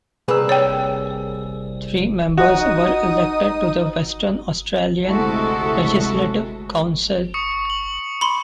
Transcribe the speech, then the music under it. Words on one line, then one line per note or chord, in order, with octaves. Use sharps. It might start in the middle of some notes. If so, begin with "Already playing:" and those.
Three members were elected to the Western Australian Legislative Council.
C2 A#3 G#4 B4 E6
C#5 G5
D#4 F#4 D#6
D2 C3 G#3 E4 F#4 A4
C#6 D#6 C#7
F#7
B5 C6